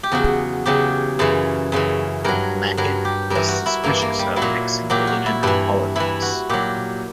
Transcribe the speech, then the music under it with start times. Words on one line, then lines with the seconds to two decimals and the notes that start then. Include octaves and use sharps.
Machen was suspicious of mixing religion and politics.
0.03 G4
0.12 E2 C#3 F#3 F#4
0.66 E2 C#3 F#3 G4
1.19 F#2 C#3 E3
1.72 F#2 C#3 E3
2.24 G2 F#3 A#4
2.77 G2 F#3 A#4
3.05 G4
3.30 G2 E3 A#4
3.48 F#4
3.66 E4
3.83 G2 E3 A#3
4.02 A#3
4.19 G3
4.36 F#3 E4
4.42 A#2
4.90 A#2 F#3 G4
5.07 F#4
5.26 E4
5.43 G2 E3 E4
5.96 G2 E3 E4
6.22 F#4
6.49 A#2 F#3 G4